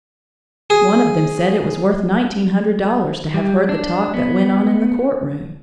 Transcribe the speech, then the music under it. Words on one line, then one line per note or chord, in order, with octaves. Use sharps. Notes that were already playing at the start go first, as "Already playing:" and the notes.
One of them said it was worth nineteen hundred dollars to have heard the talk that went on in the court-room.
G#4
G3
D4
B3